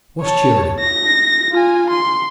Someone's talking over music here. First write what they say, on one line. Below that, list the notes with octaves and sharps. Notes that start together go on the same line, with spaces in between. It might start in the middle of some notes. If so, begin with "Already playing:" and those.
What's cheerin' him?
C#5 A5
A#6
F4 G#5
C6